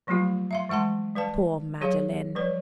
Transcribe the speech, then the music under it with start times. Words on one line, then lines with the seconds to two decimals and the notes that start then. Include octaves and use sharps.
Poor Madeline!'
0.07 F3 F#3 A3 A#3 F4 G4
0.51 E5 F5 C6
0.69 E3 G#3 F#5 A5 C6
1.15 G3 B4 F5 A5
1.81 F#3 G4 G#4 C#5 F5
2.35 F3 G3 B4 C#5